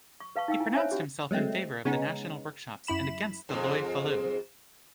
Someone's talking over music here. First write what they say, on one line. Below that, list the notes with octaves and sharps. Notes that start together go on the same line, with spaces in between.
He pronounced himself in favour of the national workshops and against the loi Falloux.
C#6
B4 F5 A5 C#6
D#4 F5 G5 E6
E4 G#5
C5 C#5 E5 G#5
C#4 F#4 G4
F#3 G#3 A3 C4
C#3 G#3 B3 C#4 D#4
F#2 E4 B5 E7
F2 G#2